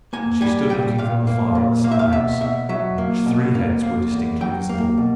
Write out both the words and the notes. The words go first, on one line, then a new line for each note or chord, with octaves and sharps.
And she stood looking from afar at the summer-house, in which three heads were distinctly visible.
A#3 G#5
G3 G#5
A#2 G5
A#2 F5
A#3
A#2
A#3 F5
E5
F5
B2 E5
B2 E5
F#3 E5
A#3
B2
A#3
A#3
E2
F#3 G5
A#3
B2